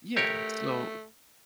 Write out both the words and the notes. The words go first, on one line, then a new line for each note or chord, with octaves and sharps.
Yeah, so
A3 G4 A#4 C#5